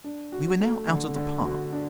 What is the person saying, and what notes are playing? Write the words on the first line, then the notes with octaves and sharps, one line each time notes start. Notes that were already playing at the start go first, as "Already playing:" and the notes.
We were now out of the park.
D4
F#4
A3
D3
D3
F#4
D4